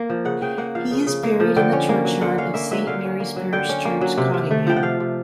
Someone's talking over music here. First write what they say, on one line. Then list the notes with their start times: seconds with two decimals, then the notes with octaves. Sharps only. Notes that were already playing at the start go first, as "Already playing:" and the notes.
He is buried in the churchyard of Saint Mary's parish church, Cottingham.
Already playing: A#3
0.10 F3
0.25 C#3 F#5
0.42 C#3 G5
0.58 A#3 F#5
0.75 F3 F5
0.91 C#3
1.07 C#3
1.23 A#3
1.40 F3
1.56 D3 G5
1.73 C#4
1.89 A#3
2.05 F#3
2.21 D3 F#5
2.38 C#4 F5
2.54 A#3 E5
2.71 F#3 E5
2.87 D3 F5
3.04 C#4
3.20 A#3
3.36 F#3
3.53 D3 G5
3.69 C#4
3.85 A#3
4.01 F#3
4.18 C3
4.34 C3
4.51 A3
4.67 F3 G5
4.76 F#5
4.83 C3 F5
5.00 C3